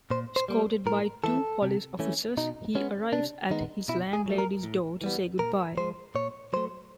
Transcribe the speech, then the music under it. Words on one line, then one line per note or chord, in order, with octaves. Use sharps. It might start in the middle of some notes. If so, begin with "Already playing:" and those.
Escorted by two police officers, he arrives at his landlady's door to say goodbye.
A#2 C5
C5
G3 A#3
A2 A#4
E3 A3 A4
C3
E3 A3 C#4
B2 D#4
G#3 B3 C#4
C3 D4
D#3 G#3 B3 D#4
B2 E4
G#4
F#3 A3
A#4
A2
E3 G3 B3
A#2 A#4
F3 G#3 C5
A#2 C#5
F#3 A3 C5